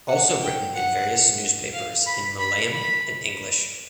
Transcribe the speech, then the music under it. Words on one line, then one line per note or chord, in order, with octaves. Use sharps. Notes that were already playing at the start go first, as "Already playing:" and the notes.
Also written in various newspapers in Malayalam and English.
F#5
G5
F#5
F5
B5
B5
B5